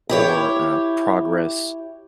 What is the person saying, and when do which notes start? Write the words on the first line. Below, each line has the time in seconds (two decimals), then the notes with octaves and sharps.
or, uh, progress,
0.09 E4 G4 C#5